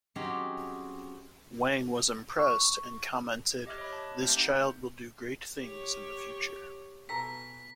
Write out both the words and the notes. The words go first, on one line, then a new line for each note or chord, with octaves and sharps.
Wang was impressed and commented, This child will do great things in the future.
F#3 C4 C#4 D#4 G4 G#4
C#6
G4 D#5 E5 D6 F6 F#6
C#5 D#5 B5
A5
A3 C4 G4 G6 B6
D#4 F#5 G6
G4 C#5
B2 E3 A4 A#5 B6